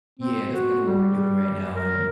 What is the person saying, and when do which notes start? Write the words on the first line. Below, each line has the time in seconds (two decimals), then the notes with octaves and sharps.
Yeah, that's kinda what we're doing right now, and
0.20 C4
0.51 F#4
0.85 G3
1.75 A#4